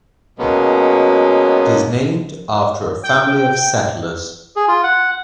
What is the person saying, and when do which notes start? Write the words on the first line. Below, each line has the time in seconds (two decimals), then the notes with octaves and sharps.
It is named after a family of settlers.
0.39 B2 F#3 G#3 A#3 B3 C#4
3.03 G5
4.56 G#4
4.68 F4
4.83 F#5